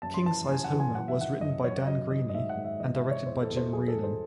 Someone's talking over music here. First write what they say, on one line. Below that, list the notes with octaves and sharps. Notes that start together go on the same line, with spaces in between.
"King-Size Homer" was written by Dan Greaney, and directed by Jim Reardon.
F#2 A5
C6
E3 A5
F#2 G#5
F#5
E3
G#5
F#3 F#5
E5
D#3 F#5
F#2 D#5
F#2 C#5
F#3 D#5
D#3 D#5
D#5
G#2 E5
F#5
G#2
E5
E3 D#5
E5
C3
C#5
E2 C5
A4
E2
C5
F#3 G#4
A4
D#3
C5